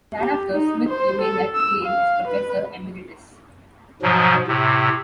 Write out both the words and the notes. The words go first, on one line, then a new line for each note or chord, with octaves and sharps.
Thereafter, Smith remained at Yale as professor emeritus.
G4
D#4
C5
A4
E6
F5
B4
G#2 B2 F3 F#3
A2 C3